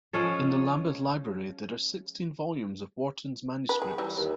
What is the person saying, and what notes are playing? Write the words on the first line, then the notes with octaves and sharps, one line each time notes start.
In the Lambeth Library there are sixteen volumes of Wharton's manuscripts.
F3 G#3 C#4 A4
B4
G#4
E3 F#3 G3
D#2